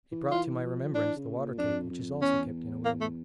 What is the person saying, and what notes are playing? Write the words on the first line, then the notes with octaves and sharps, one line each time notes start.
It brought to my remembrance the water-keg which is also kept in a whale-boat.
E3
E3 F4
F3
E3 D4
C#3
A#2
F2 D4
F2
E2 C#4
A#3
A3